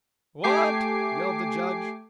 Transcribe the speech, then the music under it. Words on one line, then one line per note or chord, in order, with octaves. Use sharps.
"What!" yelled the Judge.
A3 G4 G#5 D6 C7